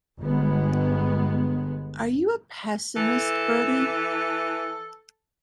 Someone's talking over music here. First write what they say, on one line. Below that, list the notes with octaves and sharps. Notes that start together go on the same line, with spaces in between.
Are you a pessimist, Bertie?
G1 G#3 B3
E3 A4